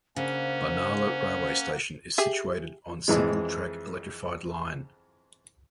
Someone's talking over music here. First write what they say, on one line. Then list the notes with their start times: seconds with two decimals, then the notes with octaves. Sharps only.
Barnala railway station is situated on single track electrified line.
0.16 C#3 A#3 C#4 D4 C5 F#5
2.18 G4 G#4 E5
3.08 F2 E3 G#3